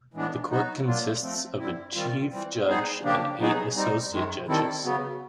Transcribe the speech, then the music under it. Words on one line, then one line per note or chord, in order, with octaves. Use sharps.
The court consists of a chief judge and eight associate judges.
A2 E3 G#3 B3 D4
F#3 B3 D#4 F#4
F#3 A#3 D4 F4
F3 A3 C4
G2 D3 G3 C4 E4
D#3 G3 C4 F4
E3 G3 C4
G3 B3 D#4 G#4 C5
C#3 F3 A#3 D4 G4
F#3 B3 D#4 G#4
G3 C4 D#4
F#2 D#3 G#3
D#3 G3 C4 E4 A4
C#3 F#3 B3